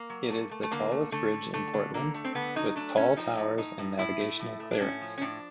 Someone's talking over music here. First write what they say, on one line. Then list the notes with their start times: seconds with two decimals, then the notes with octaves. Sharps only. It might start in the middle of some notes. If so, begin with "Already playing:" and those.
It is the tallest bridge in Portland, with tall towers and a navigational clearance.
Already playing: A#3
0.10 F#3
0.30 A3
0.51 A3
0.63 A3
0.71 D3 A#3
0.92 A3
1.12 D3 A3
1.33 D3
1.54 D3 A3
1.73 D3
1.94 D3 A#3
2.15 A3
2.25 C4
2.35 D3 B3
2.56 F#3 D#4
2.76 A3 D4
2.97 A3 C#4
3.17 F3 D#4
3.37 A2
3.58 A2 D#4
3.79 A2
3.99 A2 E4
4.20 A3
4.40 A2
4.60 A3
4.71 D4
4.81 A2 C#4
5.01 F3
5.18 C#4
5.21 A2 D4